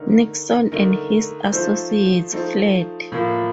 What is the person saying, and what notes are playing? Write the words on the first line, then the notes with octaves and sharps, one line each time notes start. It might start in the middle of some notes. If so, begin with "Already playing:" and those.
Nixon and his associates fled.
Already playing: D3 A3 D#4 A#4
D3 A3 D#4 A#4
F3 A3 D#4 A4 C5
F3 A3 D#4 A4 C5
A2 F3 A#3 F4